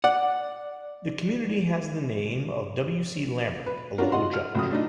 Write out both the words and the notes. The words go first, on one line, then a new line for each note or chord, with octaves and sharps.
The community has the name of W. C. Lambert, a local judge.
D5 F#5
B4
C#4 D4 F4 F#4 A#4
F#4 D#5 F#5 C6
F6
A1 F3 F#3 D#6
A3 D4 D#4